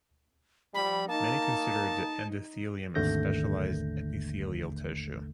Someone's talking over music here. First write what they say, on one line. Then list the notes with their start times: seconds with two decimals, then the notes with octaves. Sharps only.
Many considered the endothelium a specialized epithelial tissue.
0.75 F3 G3 B5
1.09 A#3 D#4 A5
2.95 G#1 D#2 D3 A3 G6 A#6